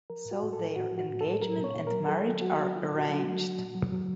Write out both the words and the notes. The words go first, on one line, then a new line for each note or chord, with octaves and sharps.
So their engagement and marriage are arranged.
F3 A#4
A2
F#4
A2
A4
F3
A2 F#4
F3
F#4
A2
A2 A4
F#3 A#4
A#2
C#5
A#2
F#3 A#4
F#3 A4
F#3
F#3 F#4
F#3
F#3 F4
A#2 F#4
F#3 A4
F#4
F#3
F#3
A#2
F#3
F#3